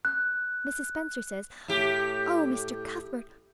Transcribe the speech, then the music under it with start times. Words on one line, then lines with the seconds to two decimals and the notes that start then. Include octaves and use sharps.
Mrs. Spencer says--oh, Mr. Cuthbert!
0.05 F#6
1.68 A2 G4